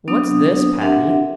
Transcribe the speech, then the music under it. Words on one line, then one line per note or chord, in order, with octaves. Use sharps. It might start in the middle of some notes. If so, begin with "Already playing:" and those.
"What's this, Patty?"
F#3 B3 C4 D4 D#6
C4 D4 G4 A#4 E5 F#5